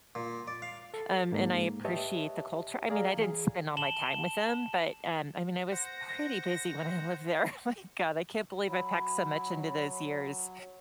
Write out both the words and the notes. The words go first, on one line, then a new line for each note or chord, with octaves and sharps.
um, and I appreciate the culture. I mean, I didn't spend all my time with 'em, but, um, I mean, I was pretty busy when I lived there. My god, I can't believe I packed so much into those years.
A#2
D5
F5
A4
G#2 A#3
G4 B4 C#5 D#5 E5 A5
G#4 D5 F5 A#5
E3 G#4
A5 E7 F#7 G7
C5 F#5 A#6
F#3 B5